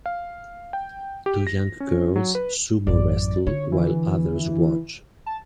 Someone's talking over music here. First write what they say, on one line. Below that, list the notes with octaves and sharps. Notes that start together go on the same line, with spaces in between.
Two young girls sumo wrestle while others watch.
F5
G5
G4
A#6
C#4
F#3
B4
A1 F#2 D5
D3 C#5
E3
A5